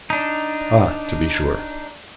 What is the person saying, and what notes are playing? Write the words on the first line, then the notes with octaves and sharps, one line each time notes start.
Ah, to be sure!
D4 D#4